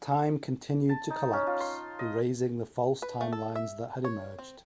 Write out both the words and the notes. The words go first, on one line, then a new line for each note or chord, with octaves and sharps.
Time continued to collapse, erasing the false timelines that had emerged.
A5
D#4
C#4
F4
C6
D#5
B4
A3
A4
E5
C#5
C4